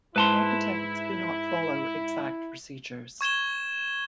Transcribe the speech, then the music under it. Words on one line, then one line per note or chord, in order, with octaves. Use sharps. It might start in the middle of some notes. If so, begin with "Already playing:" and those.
Architects do not follow exact procedures.
G#2 E4 B4 A5 C6
C#6 G#6 E7 G7